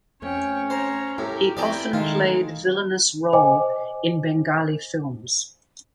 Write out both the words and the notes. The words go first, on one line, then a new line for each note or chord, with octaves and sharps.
He often played villainous role in Bengali films.
F2 A3 C4 C#4 C#5 G5
C5 C#5 A#5
A2 E4 G4 A#4
F3 B3 C4 E4 D5 G5 G#5 A#5
D#3 G#3 A3 D#4 F4 A4 A#4
C5 D#5 G5 G#5 D6